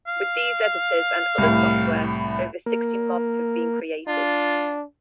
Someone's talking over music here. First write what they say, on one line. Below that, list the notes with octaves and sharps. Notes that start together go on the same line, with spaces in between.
With these editors and other software, over sixty mods have been created.
F5
C2 A2
A#3 A#4
D4 F4